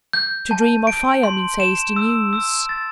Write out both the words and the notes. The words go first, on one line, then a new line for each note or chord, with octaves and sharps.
To dream of fire means hasty news.
G6
A5
D7
C6
E7
E6
E6
A6